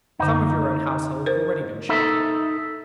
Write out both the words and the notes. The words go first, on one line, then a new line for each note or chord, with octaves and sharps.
Some of your own household have already been shaken.
F#2 D3 D#4
A#4 C5
D#4 A4 E5